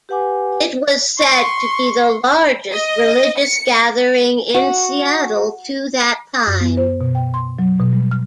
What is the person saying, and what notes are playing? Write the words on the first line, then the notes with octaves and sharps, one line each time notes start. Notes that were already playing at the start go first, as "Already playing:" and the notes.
It was said to be the largest religious gathering in Seattle to that time.
G4 B4 F#5 G#5 D6
C6 C#6
D#5
C#7
F#4
F#2
B3
C5
B2
G5
C6
F#3
B2
G3
F6